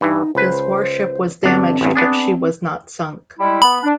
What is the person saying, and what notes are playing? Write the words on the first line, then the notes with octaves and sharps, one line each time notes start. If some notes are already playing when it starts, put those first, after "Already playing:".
This warship was damaged, but she was not sunk.
G2 E3 D#4
C#2 B4 C5
G1 C4 D4
A1 E2 G2
B3 D4 G#4
G3 G#3 E4
B3 B5
D4